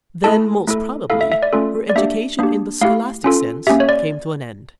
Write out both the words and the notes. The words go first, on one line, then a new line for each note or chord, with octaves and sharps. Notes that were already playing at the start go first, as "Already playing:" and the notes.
Then, most probably, her education in the scholastic sense came to an end.
A3 E4 A4 A5
A3 E4 A4
A3 E4 A4 F5
E5
E5
D5
A3 C#4 F4 A4
D5
A#3 D4 G4 E5
A#3 D4 G4
A3 E4 G4 F5
C#4 F4 A4
A#3 C#4 G4 E5
C#5
D5